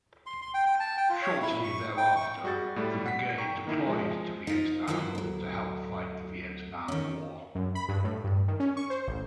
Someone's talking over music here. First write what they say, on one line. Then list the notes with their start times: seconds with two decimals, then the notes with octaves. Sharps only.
Shortly thereafter, the brigade deployed to Vietnam to help fight the Vietnam War.
0.26 C6
0.42 C6
0.54 G5
0.66 G5
0.80 A5
0.97 G5
1.10 F4
1.22 C#5
1.42 E4
1.64 C#6
1.97 G5
2.16 C#6
2.44 G3 F#4 G#4 G6 A6
2.76 A2 G3 A3
3.06 F#5 B6
3.38 G5 A#5 C#6
3.66 D#3 A#3 D#4 E4
3.86 F3 G#3
4.47 D#4 F4 C5
4.87 D#3 F#3 E4 F4 B4 C5
5.15 D2 F#3
6.88 D#3 C#4
7.55 F#2
7.75 B5
7.89 G2
8.04 A2
8.24 G2
8.48 D#3
8.60 C#4
8.77 C#6
8.90 C5
9.08 A1